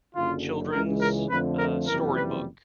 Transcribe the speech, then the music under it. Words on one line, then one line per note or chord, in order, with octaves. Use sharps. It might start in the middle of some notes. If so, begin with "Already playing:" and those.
children's, uh, storybook,
F#1 F#2 D3 F4
C#2 C#3 E3 G#3 A#4
A#4
F2 D3 F3 A3 B4
A#4
F#1 F2 C3 E3 G3 A#4
B4